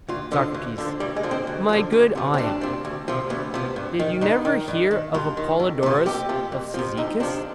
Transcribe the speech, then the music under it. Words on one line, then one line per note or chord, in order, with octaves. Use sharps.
SOCRATES: My good Ion, did you never hear of Apollodorus of Cyzicus?
D2 F4
D3 F3
D2
D3 F3
D2 G3
G#3
D3 F3
C4
D2
D3 F3
D2
C3 F3
C4
D2 D4
C3 F3
D2
C3 F3
D2 B3
C3 F3
G2
D#3
G2 D#4
D#3
G2
D#3
G2 F4
D#3
F2
C3 F3
F2 G4
C3 F3
F2
C3 F3
F2 D#4
C3 F3 D4